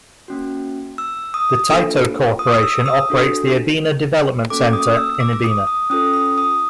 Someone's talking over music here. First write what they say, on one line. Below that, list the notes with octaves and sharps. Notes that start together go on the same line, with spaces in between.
The Taito Corporation operates the Ebina Development Center in Ebina.
A#3 C#4 F#4
E6
D#6
A#3 D4 F4 A4
D#6
E6
D#6
D4 F#4 A4
A#3 C#4 F#4 A4 D6
D#6
E6
D6
D#6
D#6
C#4 F4 A4 D#6
D#6
D#6